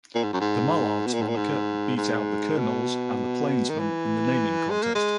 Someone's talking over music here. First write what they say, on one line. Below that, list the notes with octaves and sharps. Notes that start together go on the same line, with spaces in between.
The "Mallards" moniker beat out the "Kernels" and the "Plainsmen" in the naming contest.
A#2
G#2
F#2
G#2
B2
A#2
G#2
A#2
G#2
G#2
B2
D#3
E3
G#3
A#3
G#3